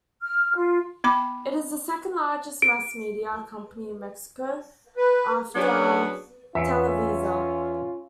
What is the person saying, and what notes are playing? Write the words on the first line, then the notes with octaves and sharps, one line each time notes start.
It is the second-largest mass media company in Mexico after Televisa.
F6
F4
B3 B5 D6
D7
B4
F#3 B3 C#4 D4 G#4
E2 C#4 F4 E5